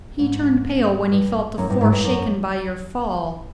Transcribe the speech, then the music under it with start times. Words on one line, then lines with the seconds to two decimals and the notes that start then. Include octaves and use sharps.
He turned pale when he felt the floor shaken by your fall.
0.19 G#2
1.12 G2
1.58 F#2
1.70 G2
1.81 G#2
1.92 G2
2.04 F#2